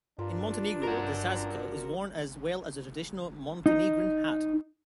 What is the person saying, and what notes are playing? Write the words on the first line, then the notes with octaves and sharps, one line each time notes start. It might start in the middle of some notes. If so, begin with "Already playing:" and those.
In Montenegro, the šajkača is worn, as well as the traditional Montenegrin hat.
G2 D4 F4 A#4 E5
F4 F#4 A#4
D#4